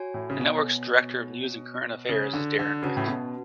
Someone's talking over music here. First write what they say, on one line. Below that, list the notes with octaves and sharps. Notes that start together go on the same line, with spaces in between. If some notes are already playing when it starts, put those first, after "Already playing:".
The network's Director of News and Current Affairs is Darren Wick.
Already playing: F#4 C#5 G#5
A2
C#3
B2
C#3
D3
D3
C#3 C#4 F#4 B4 F#5 A5
A2
B2